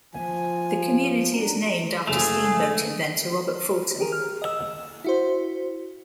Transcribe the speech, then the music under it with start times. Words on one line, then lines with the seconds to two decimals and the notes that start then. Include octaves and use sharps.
The community is named after steamboat inventor, Robert Fulton.
0.14 F3 G#5
1.33 F#2 D4 A#5
2.07 F#1 A3 G#4 F7
4.00 G4 G#4 A#4
4.12 F6
4.42 D#5 E6
5.04 E4 F#4 C5